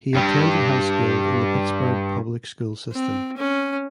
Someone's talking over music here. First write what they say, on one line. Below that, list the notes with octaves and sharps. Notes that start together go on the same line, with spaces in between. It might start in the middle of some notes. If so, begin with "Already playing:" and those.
He attended high school in the Pittsburgh Public School system.
G2 G3
C4
C#4